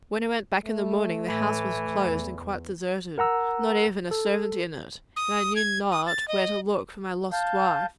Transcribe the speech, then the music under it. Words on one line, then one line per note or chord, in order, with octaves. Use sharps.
When I went back in the morning the house was closed and quite deserted; not even a servant in it, and I knew not where to look for my lost wife.
A3
A2 E3
E2
A#4 F#5 A#5 E6
A4
D#6
G#6
D#6
A6
D#5
F5 A5 G6